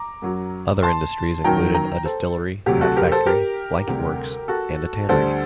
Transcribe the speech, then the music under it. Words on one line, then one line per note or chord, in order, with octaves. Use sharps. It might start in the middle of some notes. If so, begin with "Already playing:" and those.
Other industries included a distillery, hat factory, blanket works, and a tannery.
Already playing: A#5 D6
F#2 F#3
A5 C6
F#2 D#3 F#3 G5 A#5
G5 A#5
A4 C5
D2 C3 F#3 G4
F#4 A4
G4 A#4
A4 C5
G4 A#4
D2 C3 G3
F#4 A4
D2 D3 G3 A4 C5